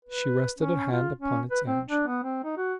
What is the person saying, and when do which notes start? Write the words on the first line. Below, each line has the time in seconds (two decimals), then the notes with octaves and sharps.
She rested a hand upon its edge.
0.05 B4
0.59 C#4
0.92 F4
1.19 C#4
1.51 B4
1.66 C4
1.89 D4
2.07 B3
2.23 C4
2.44 D#4
2.57 F#4